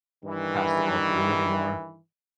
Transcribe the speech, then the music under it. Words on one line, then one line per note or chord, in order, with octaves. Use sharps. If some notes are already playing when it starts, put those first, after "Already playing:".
pass them all through anymore.
G2 D#3 E3